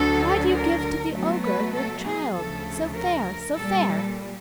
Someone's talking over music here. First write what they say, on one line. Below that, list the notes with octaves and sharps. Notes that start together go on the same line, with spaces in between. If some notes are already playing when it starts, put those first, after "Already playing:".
Why do you give to the ogre Your child, so fair, so fair?
Already playing: D2 D3 F#3 A4
A#4
B2 F#3 A3
B4
A4
G#4
D2 C#3 F3 A3 A4
A#4
A#2 G3 A4